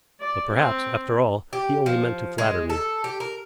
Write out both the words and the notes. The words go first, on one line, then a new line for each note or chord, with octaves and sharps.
But perhaps, after all, he only meant to flatter me.
D5
C4
G4
F3
G#3
A4
G4
A#4